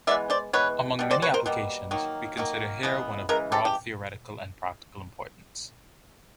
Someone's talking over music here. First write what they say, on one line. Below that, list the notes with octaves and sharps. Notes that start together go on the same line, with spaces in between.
Among many applications, we consider here one of broad theoretical and practical importance.
E3 G#3 B3 D5 E5
C5 D5
E3 G#3 B3 B4 C#5
B2 G3
C5 D5
B4 C#5
A#4 C5
B2 G3 A#3
D#3 F#3 A#3
D#3 F#3 A#3
C#3 E3 G#3 B3
C#3 E3 G#3 A#4
G4 A4
G4